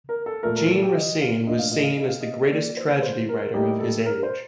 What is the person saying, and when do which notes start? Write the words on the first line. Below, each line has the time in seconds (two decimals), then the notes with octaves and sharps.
Jean Racine was seen as the greatest tragedy writer of his age.
0.09 A#4
0.26 A4
0.43 A#2 F3 A3 A#4
0.56 A#4
0.70 A4
0.82 G4
0.95 D#5
1.21 F5
1.47 A2 F3 A#3 D4 D#5
1.59 F5
1.72 D#5
1.83 F5
1.95 D#5
2.08 F5
2.21 D#5
2.50 F3 A#3 F4 D5
2.77 C5
3.02 C5
3.29 A#4
3.54 A2 G3 A#3 D#4 G4
3.80 A4
4.06 A#4
4.23 C5